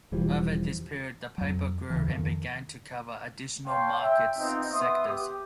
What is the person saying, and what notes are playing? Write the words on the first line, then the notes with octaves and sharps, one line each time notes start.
Over this period the paper grew and began to cover additional market sectors.
E1 E3 F3 G3
F2 F#3
D2 C#3 E3
F2 D#3 F3
C#5 F5 G5 A5 C6
E5 G5
B3 C4 D#4 F4 D#5 G5
B3 E5 C6 D#6
G4